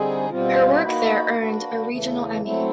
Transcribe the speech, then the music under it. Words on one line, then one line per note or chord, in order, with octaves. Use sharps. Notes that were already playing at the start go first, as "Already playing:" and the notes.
Her work there earned a regional Emmy.
Already playing: D3 G3 C4 D#4 G#4
B2 G3 C4 F4
A#3 D#4 F#4 B4
A#3 D4 F#4 B4
E2 C#3 E3 A3
F#3 A3 C4 E4